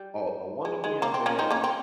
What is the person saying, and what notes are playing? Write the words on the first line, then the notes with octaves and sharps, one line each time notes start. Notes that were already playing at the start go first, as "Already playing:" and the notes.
uh, a wonderful young man,
Already playing: G3
G#3
G#3
A#3
C4
A#3 C#4
C4 D#4
A#3 C#4
C4